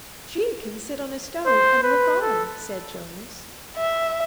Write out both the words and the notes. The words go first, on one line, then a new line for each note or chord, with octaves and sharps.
She can sit on a stone and look on,' said Jonas.
C5
B4
A4
E5